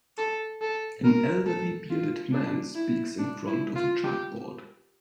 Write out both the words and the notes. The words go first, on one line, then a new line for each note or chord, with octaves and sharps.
An elderly bearded man speaks in front of a chalkboard.
A4
A4
A#4
A4
F4
D4
E4
D4
E4
F4
G4